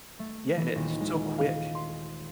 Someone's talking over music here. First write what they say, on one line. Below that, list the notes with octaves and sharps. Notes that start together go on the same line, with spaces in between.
Yeah, and it's so quick.
A3
E3
D#1
G#3
F5
C6